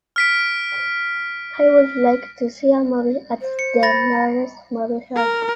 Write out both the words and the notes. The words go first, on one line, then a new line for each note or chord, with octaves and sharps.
I would like to see a movie at the nearest movie house.
F6 B6 D7
C5
C#7
B5 A6 A#6
A#5
A#4